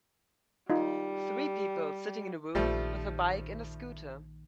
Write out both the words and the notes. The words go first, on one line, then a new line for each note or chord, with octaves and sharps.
Three people sitting in a room with a bike and a scooter.
G3 D#4 F4
A#1 D#3 F3 G3 A3